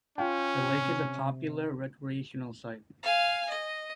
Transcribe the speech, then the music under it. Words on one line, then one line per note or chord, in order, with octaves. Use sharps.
The lake is a popular recreational site.
C#4 F4 F5 G5
C3
F5 G#5
D#5